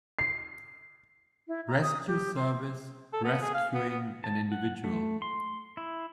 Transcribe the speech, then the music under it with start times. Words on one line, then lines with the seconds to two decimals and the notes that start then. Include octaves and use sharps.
Rescue service rescuing an individual.
0.19 C7
1.48 E4
1.68 A#5
1.82 D#6
2.08 G4
2.36 C6
3.13 A4
3.24 B3
3.42 G#4
3.54 F5
3.74 B3
3.89 B3
4.24 A5
4.52 F#5
4.84 A3
5.22 C6
5.77 E4